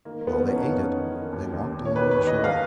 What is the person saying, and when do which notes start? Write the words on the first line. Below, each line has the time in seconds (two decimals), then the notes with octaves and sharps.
While they ate it, they walked along the shore.
0.05 D#3 A#3
0.21 A#3
0.27 D#3 B3
0.48 F2 C#4
0.56 D#4
0.63 C#4
0.69 F2
0.90 D#3
1.11 D#3
1.33 D#2
1.53 D#2
1.74 D#2
1.85 C#5
1.96 D#3 B4
2.11 B4
2.17 D#2
2.27 D#5
2.38 D#3
2.44 F5